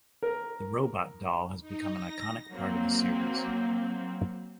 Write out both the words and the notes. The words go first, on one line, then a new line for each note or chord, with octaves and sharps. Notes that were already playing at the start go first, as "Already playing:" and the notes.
The robot doll has become an iconic part of the series.
A#4
D#4
A#6
F#3 A#3 C4